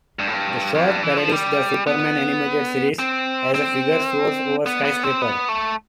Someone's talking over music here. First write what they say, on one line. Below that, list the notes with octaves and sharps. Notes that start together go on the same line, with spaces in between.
The short parodies the Superman animated series as a figure soars over a skyscraper.
G2
A2
G2
F2
G2
E3
F3
G3
B3
C4
C4
B3
B3
C4
B3
A3